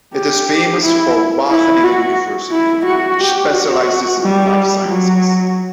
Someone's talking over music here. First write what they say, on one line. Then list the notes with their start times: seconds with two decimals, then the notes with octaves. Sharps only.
It is famous for Wageningen University, which specialises in life sciences.
0.15 G4
0.82 E4
1.50 E4
1.84 F#4
2.51 E4
2.86 F#4
3.20 G4
3.53 F#4
4.21 G3
4.89 F#3